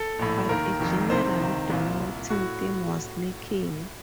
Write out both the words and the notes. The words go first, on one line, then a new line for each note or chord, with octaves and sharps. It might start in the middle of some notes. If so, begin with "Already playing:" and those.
But a general dominating theme was lacking.
Already playing: A4
A#1 A2
D#2 D#3 A#4
F1 F2 D#3
C2 C3 D#3 C5
C#2 C3 D#3
C2 A#2
C2 A#2
A2 F#4